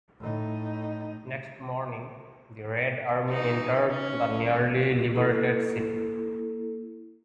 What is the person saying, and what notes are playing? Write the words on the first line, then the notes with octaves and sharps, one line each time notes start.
Next morning, the Red Army entered the nearly liberated city.
A2 D#4
E3 D#4
C#4
A#3 E4 A4